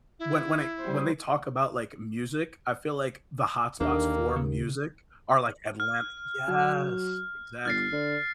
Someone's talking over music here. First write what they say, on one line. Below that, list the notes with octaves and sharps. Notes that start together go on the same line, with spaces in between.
when when it when they talk about, like, music, I feel like the hot spots for music are like Atlantic Yes, exactly.
E4
G3 C5
D#2 D3 D#3 A#3 D4
C#3
F6
F#3
G1 F6 A6 C7
D3